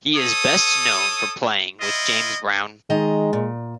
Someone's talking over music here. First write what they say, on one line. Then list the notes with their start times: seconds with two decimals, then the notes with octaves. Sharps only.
He is best known for playing with James Brown.
0.16 A4 C#5 D#6
1.81 E4 F4 D#5
2.90 D#3 G#3 D#5 A#5
3.33 A#2